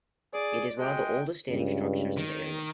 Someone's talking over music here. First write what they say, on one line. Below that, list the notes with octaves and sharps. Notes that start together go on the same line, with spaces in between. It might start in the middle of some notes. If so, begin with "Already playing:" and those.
It is one of the oldest standing structures in the area.
G#4 D5
G#3 F#4 G5
C#2 G2
D#3